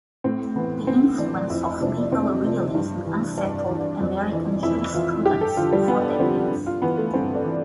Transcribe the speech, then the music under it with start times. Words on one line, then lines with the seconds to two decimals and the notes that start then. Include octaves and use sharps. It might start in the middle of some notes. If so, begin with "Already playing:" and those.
The influence of legal realism unsettled American jurisprudence for decades.
0.24 A2 C4
0.56 E3 B3
0.87 A2 C4
1.18 E3 D4
1.50 F2 E4
1.81 C3 F3 D4
2.12 F2 C4
2.43 C3 F3
2.75 G2
3.06 E3
3.38 G2 D4
3.69 E3
4.00 F2
4.32 E3
4.63 F2 E4
4.94 E3 F4
5.25 G2 G4
5.41 A4
5.57 D3 F3 F4
5.73 G3
5.88 G2 B3
6.19 D3 F3 C4
6.50 G2
6.66 F4
6.82 E3 B3
6.98 A3
7.13 G2 C4
7.34 D4
7.45 E3